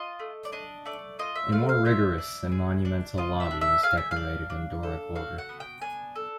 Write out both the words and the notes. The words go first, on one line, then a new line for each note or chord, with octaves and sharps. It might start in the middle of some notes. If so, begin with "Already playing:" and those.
A more rigorous and monumental lobby is decorated in Doric order.
Already playing: F4 D#5
A3
D5
D4 D#5
A3 D5
F4 D#5
E5
A3 F5
F5
F4 E5
D4
G#4
D4
F4 D#5
E5
D4
E5
G#4 F5
E5
F5
D4
D4
A4
F#4 F5
F#5
B3
G5
D4 G#5
A4